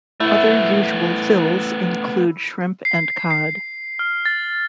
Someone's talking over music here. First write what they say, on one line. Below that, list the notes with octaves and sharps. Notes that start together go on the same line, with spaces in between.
Other usual fills include shrimp and cod.
A3 B3 E4 F#5
C7
C7
F6
A6